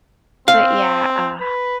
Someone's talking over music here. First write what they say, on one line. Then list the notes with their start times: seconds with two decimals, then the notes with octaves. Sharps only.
But yeah, uh
0.48 C4 F5
1.41 B4